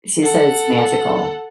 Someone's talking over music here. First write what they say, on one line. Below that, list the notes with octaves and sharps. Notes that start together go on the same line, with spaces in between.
she said it's magical.
A4 F#5